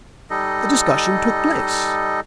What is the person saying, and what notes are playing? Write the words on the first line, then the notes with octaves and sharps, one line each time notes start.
The discussion took place.
G3 D#4 A4 D#5